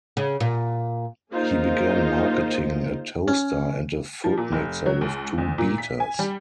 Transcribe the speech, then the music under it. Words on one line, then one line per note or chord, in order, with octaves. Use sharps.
He began marketing a toaster and a food mixer with two beaters.
C#3
A#2
A#3 D#4 F4 G#4 C5
C#4
F3
A#2
F1
F#3
C#2
D2
A#2
B6
G#5
G3